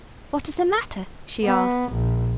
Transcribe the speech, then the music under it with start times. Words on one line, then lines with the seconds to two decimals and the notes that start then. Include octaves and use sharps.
"What is the matter?" she asked.
1.44 B3
1.93 A#1